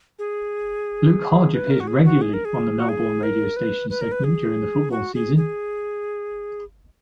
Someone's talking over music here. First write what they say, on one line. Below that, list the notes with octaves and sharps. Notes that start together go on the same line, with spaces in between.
Luke Hodge appears regularly on a Melbourne radio station segment during the football season.
G#4
B4
A#4
F#4
G#4
F#4
G#4
A#4
G#4
F#4
G#4
A#4
B4
B4
A#4
B4
G#4
F#4
G#4
G#4